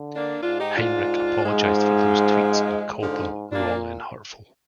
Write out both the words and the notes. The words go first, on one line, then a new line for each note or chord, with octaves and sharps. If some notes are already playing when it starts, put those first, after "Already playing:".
Heinrich apologized for those tweets and called them "wrong and hurtful".
Already playing: D3
A#3 D4
G#2 D4 F4
D#4 G4
D4 F4
G#2 F3 G#3
G#2 D3 F3
A#2 A#3 D4